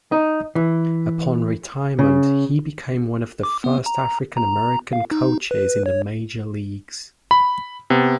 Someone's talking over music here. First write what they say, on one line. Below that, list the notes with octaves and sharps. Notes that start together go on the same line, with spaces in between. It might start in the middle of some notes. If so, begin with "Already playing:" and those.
Upon retirement, he became one of the first African-American coaches in the major leagues.
D#4
E3
C#3
D6
B3
A#5
A#5
F5
D#4
B4
C#5
B5
C3 B3